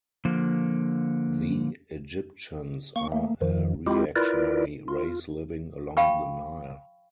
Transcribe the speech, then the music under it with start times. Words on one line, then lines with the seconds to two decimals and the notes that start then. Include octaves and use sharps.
The Egyptians are a reactionary race living along the Nile.
0.25 D3 F3 A#3
2.96 A#3 C#6
3.12 A3 A#3
3.41 F2 D#3 F3
3.87 G#3 C4 E4 F4 G4
4.16 E4 F4 A#4 B4 D5
4.88 F4
5.97 F5 G5 B5 C#6